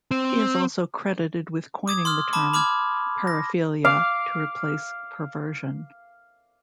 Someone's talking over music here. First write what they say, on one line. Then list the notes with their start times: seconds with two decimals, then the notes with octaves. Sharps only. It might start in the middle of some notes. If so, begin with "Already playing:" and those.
He is also credited with coining the term "paraphilia" to replace "perversion".
0.11 C4
1.88 D6 D#6 G#6
2.05 C6 D#6 F6
2.33 A5 B5 D6
2.53 B5 D6 F6 G#6
3.27 A#6
3.85 F5 D6